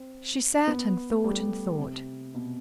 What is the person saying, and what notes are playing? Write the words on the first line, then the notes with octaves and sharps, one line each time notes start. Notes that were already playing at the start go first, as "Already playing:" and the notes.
She sat, and thought, and thought.
Already playing: C4
B3
G3
A3
G3
C3
B2